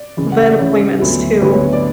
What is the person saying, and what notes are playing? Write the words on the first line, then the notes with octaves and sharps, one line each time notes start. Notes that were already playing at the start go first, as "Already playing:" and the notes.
vet appointments to
Already playing: D5
C#2 C#3 E3
F#5
E5
D5
C#2 C#3 E3 C#5
D2 D3 F#3 B3 E4
D2 D3 F#3 B3 E4 B4
C#5
C#5
D5